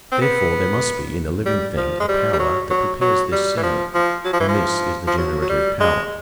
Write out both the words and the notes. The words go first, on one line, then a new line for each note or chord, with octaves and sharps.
Therefore there must be in the living thing a power that prepares this semen; and this is the generative power.
C4
B3
G3
F3
G#3
G3
G3
F#3
F#3
F#3
G3
E3
F3
F3
F#3
F3
E3
F3
F3
F#3
F#3
G3
G#3